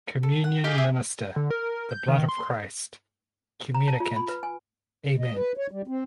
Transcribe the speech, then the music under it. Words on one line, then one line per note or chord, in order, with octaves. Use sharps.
Communion Minister: The blood of Christ. Communicant: Amen.
A4
F#5
D#4 G4 G#4 F5
E5
D3
A#4
G6
D#3
C6
A#5
A5
F4
B5
B4
G#5
D#5
B4
C#5
G3
C4